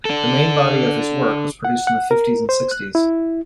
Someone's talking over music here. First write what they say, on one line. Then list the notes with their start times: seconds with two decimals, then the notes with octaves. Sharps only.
The main body of his work was produced in the fifties and sixties.
0.05 D4 A4
1.65 F#5
1.87 F#5
2.11 A#4
2.49 C5
2.71 F#6
2.95 E4